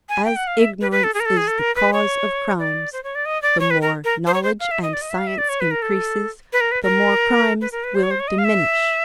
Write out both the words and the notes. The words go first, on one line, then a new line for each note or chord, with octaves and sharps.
As ignorance is the cause of crimes, the more knowledge and science increases, the more crimes will diminish.
G#5
G5
F#5
F5
E5
B4
B4
A4
G#4
A#4
A4
G#4
A4
A#4
B4
C#5
D5
C5
C#5
D5
D#5
D5
C#5
B4
A#4
A#4
C5
C#5
C5
F5
E5
D#5
D5
D#5
E5
F5
E5
D5
C#5
B4
A#4
A4
B4
A#4
B4
A#4
B4
A#4
B4
C5
C#5
C5
C#5
D#5
F5
E5